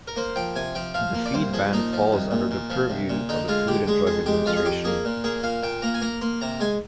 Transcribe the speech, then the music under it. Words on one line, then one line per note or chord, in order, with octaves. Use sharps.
The feed ban falls under the purview of the Food and Drug Administration.
A#4
A#3 C5
F3 G5
C3 G#5
F3 G5
F3 F5
A#3
D5
C2 C5
F3 G#4
A#2 D#4
F3
C2
A#2
A#2
F3
C2
A#2
D3 D#4
G#3 F4
D3 G4
G#3 G#4
F2 G#4
G#3 G4
F2 F4
G#4
F2 G4
A#3 G#4
A#2
A#3 G#4
A#2 F5
A#2 G5
A#3 A#5
G#5
A#3 A#5
A#3 C6
C3 A#5
G#3 G#5